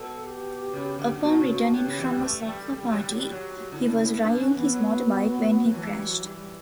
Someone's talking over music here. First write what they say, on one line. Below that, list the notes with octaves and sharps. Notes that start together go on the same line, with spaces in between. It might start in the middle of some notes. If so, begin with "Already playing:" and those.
Upon returning from a soca party he was riding his motorbike when he crashed.
Already playing: B2 A4
G4
C#3
D3
B2 F#4
C#3
F#4
B2
A2 G4
C#3
E3
G3
A3
A3
G3
A4
G3 G4
A3
F#3
G3
F#3
G3
F#3
D3 E4
C#3
B2
B2 D4
G2 C#4
E3 B3
F#3
E3 F#3
A3
G3
F#3
G3
G3